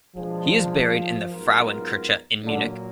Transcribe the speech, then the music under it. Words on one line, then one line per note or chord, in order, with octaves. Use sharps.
He is buried in the Frauenkirche in Munich.
B2 F3 G#3 D4 G#4
G#2 F#3 B3 F4 A#4
A#2 D3 F#3 A#3